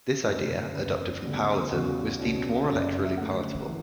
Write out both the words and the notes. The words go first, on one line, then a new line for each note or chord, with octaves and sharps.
This idea, adopted from Powellism, was deemed more electorally palatable.
F#2 D3 A3 C#4
F#1 E2 C#3 B4
D2 C#3 G3 B3
E2 C#3 G3 F#4
C#2 B2 G3 C#4
A4
F#1 F#2 C#3 G3 C#4 G4
D5
D5
E5
D2 D3 A3 C#4 F#5
E3